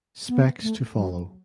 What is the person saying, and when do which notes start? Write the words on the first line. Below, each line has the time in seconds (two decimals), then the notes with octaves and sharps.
Specs to follow.
0.28 B3
0.63 A3
0.96 F#3